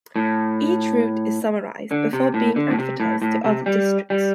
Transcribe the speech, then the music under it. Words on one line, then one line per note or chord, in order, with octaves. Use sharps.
Each route is summarized before being advertised to other districts.
A2
D3
C3
A2
D3
A2
C3
A2
A2
C3
G3
G3